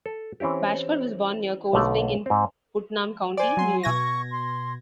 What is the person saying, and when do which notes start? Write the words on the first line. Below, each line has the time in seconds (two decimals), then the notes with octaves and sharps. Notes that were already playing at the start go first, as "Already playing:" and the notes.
Bashford was born near Cold Spring in Putnam County, New York.
0.06 A4
0.40 E3 C4 C#4 E4 G4
1.73 B1 B2 D3 A3 A#4
2.26 G#2 C4
3.37 C5 D5 G#5
3.57 F#3 C6
3.83 B2 C#6 G#6 A#6
4.31 C6